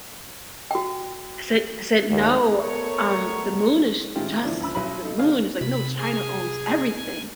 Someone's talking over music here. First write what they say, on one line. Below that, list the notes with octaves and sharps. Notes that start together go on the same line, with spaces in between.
I said I said, "No, um, the moon is just the moon." He's like, "No, China owns everything,"
F#4 G5
D#2
A3 B3 A#4 C#5
A2 D#3 G#3 C4 F4 G4
A2 D3 E3 F3 D4 E4
C#2 D3 F3 B5 E6
B1 F#3 E4 B5
D#4 A4
D3 C#4 F5 G#5
C3 B5
G#4 G#5